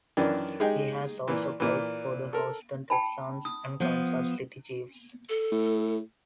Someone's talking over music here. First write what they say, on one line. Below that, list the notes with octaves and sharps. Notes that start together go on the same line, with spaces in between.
He has also played for the Houston Texans and Kansas City Chiefs.
F#2 D#3 E3 D4
G#3 D#4 G4 G#4 G5
A#2 E3
A#2 E3
A4 A#4
G5 A5 B5
D#6
F3 B3
A4
A2